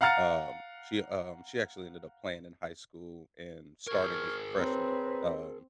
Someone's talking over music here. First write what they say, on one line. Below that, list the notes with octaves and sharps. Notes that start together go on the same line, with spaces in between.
um, she um, she actually ended up playing in high school and starting as a freshman, um
F5 F#5 A#5 F6 A6 C#7
G#4 A#4 C#6 F6 G#6
C4 B4 C#5 A#5